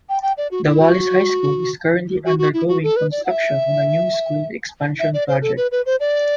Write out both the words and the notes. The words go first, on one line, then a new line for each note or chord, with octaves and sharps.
The Wallace High School is currently undergoing construction on a new school expansion project.
G5
G5
D5
F#4
E4
F#4
F#4
F#4
E4
F#4
A4
B4
D5
F#5
E5
E5
D5
C5
A4
B4
B4
C5
D5